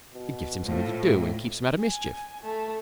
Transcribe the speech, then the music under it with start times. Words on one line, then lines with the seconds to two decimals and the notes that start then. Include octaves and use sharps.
It gives him something to do and keeps him out of mischief.
0.14 B2
0.64 A2 F3
1.05 F2
1.79 G#5
2.41 A3